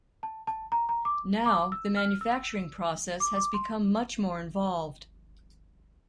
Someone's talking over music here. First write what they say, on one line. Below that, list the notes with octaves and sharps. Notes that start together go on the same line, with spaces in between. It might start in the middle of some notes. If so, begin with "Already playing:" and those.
Now, the manufacturing process has become much more involved.
A5
A5
A#5
A#5
D6
D6
E6
F6
E6
D6
D6
C6